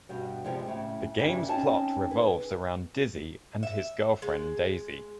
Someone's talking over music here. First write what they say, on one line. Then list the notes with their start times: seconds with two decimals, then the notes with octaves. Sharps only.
The game's plot revolves around Dizzy and his girlfriend Daisy.
0.09 G2 B2 G3
0.44 G2 C3 F3 G3 G#3
0.67 A2 C#3
1.19 G2 C#3 G3 G4 E5 G#5
1.48 C4 C#4 D#4 G#5 A5
2.11 G#4 B4
3.63 E5
4.22 G#3